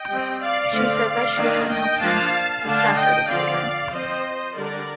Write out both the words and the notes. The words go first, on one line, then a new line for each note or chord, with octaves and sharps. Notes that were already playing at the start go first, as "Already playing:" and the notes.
She said that she had no plans to have further children.
Already playing: D#5 G5
G3 C4
D5 F5
D3 A3 C4 D5 F5
D#3 A#3 D4
D#5 G5
F3 A#3 D4 F5 A5
D3 A3 D4 F5 A5
D#5 G5
D3 F3 C4 D5 F5
F3 C4 C5 D#5
D3 G3 D4 A#4 D5